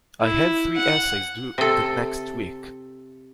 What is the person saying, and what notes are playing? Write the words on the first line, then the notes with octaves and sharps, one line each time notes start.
I have three essays due in the next week.
E4
F#5
C3 A4